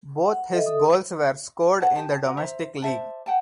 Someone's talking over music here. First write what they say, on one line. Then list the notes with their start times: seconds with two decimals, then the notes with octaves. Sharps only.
Both his goals were scored in the domestic league.
0.25 F#5
0.52 A4 D#5 E5
0.66 A4 D#6
1.80 D4 C#5 F#5 A5
1.96 G4 A5
2.23 F#4 A#4
2.37 C5 E5 A#5
2.82 C5 D5 E5 A5
3.26 F#5 G5 A5